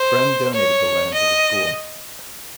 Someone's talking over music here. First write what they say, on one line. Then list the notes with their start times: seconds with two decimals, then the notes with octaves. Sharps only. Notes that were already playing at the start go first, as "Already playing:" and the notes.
Fremd donated the land for the school.
Already playing: C5
0.53 C#5
1.14 D#5